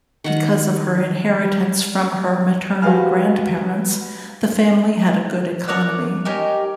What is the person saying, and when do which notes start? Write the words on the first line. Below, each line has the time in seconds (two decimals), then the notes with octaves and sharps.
Because of her inheritance from her maternal grandparents, the family had a good economy.
0.24 D#3 F#5
2.82 F#4 G4 B4 F5 G#5 F6
5.68 A#4 C#5 D5 F#5
6.25 C#4 D#4 G4 A#4